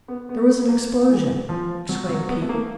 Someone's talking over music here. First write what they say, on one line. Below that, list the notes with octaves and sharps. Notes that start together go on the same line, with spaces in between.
"There was an explosion!" exclaimed Pete.
B3
B3
A#3
E3
F3
F#3
F#3
B3
A3
A#3